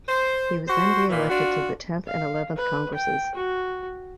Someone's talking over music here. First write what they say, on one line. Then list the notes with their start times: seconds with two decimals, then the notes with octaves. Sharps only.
He was then re-elected to the Tenth and Eleventh Congresses.
0.08 C5
0.68 F#4 C5
1.10 A#2 E3
1.30 D4 F4 F#4
2.07 F5
2.57 B4
2.94 G5
3.35 F#4